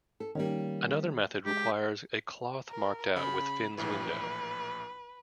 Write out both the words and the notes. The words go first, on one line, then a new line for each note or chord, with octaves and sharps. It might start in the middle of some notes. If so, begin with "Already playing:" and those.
Another method requires a cloth marked out with Finn's Window.
A4
D#3 G3 A#3 C#4
G#3 G4
A#4
C#3 B5
A#1 A2 E3 B4